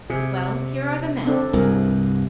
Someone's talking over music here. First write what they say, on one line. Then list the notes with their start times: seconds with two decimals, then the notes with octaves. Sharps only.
"Well, here are the men."
0.10 C3 G#4
1.25 C4 D4 A4
1.53 C2 G2 G#4 A#4